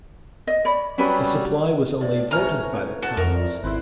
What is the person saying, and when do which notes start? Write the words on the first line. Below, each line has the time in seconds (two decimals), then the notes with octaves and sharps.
The supply was only voted by the commons.
0.47 D#5
0.65 C#5 D5 B5
0.98 F#3 G3 C#4 B4 B5
2.01 A2 D5
2.31 C3 C#4 B4 C#5 A#5 F6
3.02 F#4 A5
3.17 F2 A#4
3.34 D5
3.63 G#1 E4 B4 C5 E5